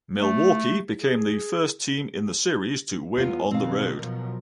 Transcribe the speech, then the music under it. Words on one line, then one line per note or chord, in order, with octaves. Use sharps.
Milwaukee became the first team in the series to win on the road.
A3
G#4
E2 B3 F4
B2 D#3 C4 F5
B2 F3 F#3 A#4